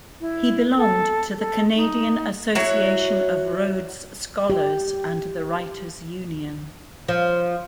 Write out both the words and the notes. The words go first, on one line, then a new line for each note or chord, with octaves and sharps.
He belonged to the Canadian Association of Rhodes Scholars and the Writers' Union.
E4
A4
A4
D#4
F#3 E4 F#4 C#5
G4
F3